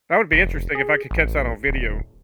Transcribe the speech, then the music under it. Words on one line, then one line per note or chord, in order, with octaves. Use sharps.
That would be interesting if I could catch that on video.
F1
G#4
A1
D#1